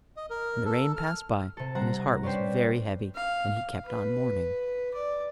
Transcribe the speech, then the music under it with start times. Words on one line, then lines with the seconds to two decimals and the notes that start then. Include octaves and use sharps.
And the rain passed by, and his heart was very heavy, and he kept on mourning.
0.17 D#5
0.30 A#4
0.65 A4
0.96 F6
1.57 C3 A4
1.75 G3 C4 F#5 A#5
2.23 C#4 D4 B4 C5 G5
3.15 F5
3.86 B4
4.94 D5